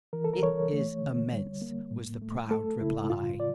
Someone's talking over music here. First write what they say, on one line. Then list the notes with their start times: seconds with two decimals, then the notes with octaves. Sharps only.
"It is immense," was the proud reply.
0.13 E3 A#4
0.24 A4
0.34 A#4
0.43 E3 C#5
0.73 A3
1.02 D3
1.32 G3
1.62 A#3
1.91 A2
2.22 A3
2.51 A3 A4
2.81 C#3 E4
3.10 A2 F4
3.40 D5